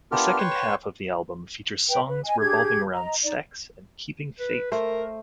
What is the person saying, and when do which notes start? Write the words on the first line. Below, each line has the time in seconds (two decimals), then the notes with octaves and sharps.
The second half of the album features songs revolving around sex and keeping faith.
0.12 B3 D4 F4 G4 A#4 F6
0.38 B4 C#5 G5 C6 C#6
1.89 B4 G5
2.08 B4
2.25 D#5 G#5
2.39 D4 G4 G#4 G#6
2.92 D#5 A#5
3.23 D#4 D5
4.39 B4
4.72 A3 A#4 C5